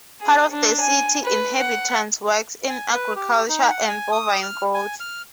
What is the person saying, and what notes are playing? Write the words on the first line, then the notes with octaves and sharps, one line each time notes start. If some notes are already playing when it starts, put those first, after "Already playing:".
Part of the city inhabitants works in agriculture and bovine growth.
G#4
D4
G#5
B4
F#5
G#5
B4
G4
D#4
F#5
G#5
D#6
F6
G#5
F6